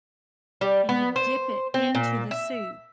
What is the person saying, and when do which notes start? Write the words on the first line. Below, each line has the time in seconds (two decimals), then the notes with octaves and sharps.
and you dip it into the soup
0.61 G3
0.89 B3
1.16 C5
1.74 C4
1.95 A#2
2.31 E5